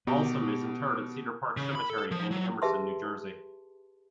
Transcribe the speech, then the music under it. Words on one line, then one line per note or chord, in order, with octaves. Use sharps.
Balsam is interred at Cedar Park Cemetery, in Emerson, New Jersey.
B2 B3 G4
C#3
B5
A4
F3
F#3
G4 G#4 B4 E5 A5 C6